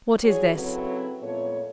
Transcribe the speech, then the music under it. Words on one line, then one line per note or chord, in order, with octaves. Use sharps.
What is this?'
D2 E4 F#4 G#4 C#5
C#3 F#3 C4 E4 A4 B4
F2 A#2 A3 B3 C#5